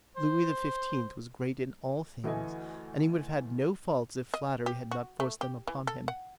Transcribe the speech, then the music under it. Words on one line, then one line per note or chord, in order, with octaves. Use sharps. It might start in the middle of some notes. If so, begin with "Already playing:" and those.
Louis XV. was great in all things, and he would have had no faults if flattery had not forced them upon him.
C5
D2 E3 A3 D#5 G#5
D#5
G4
F#4
A3
G4
E3
A4
F#5